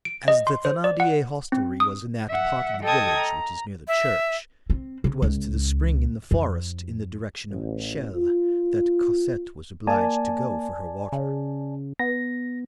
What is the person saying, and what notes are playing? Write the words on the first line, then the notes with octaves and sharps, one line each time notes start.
As the Thenardier hostelry was in that part of the village which is near the church, it was to the spring in the forest in the direction of Chelles that Cosette was obliged to go for her water.
D7
D#5
C6
C5
D5
F#5
C4
D#6
E5 F#5
A4 D#5 G5 A5 D#6 G#6
A#5
E5
C4
C#3
C#2
F2
A1
F4
A#3 D5 G#5 A5
C#3
B3 A#6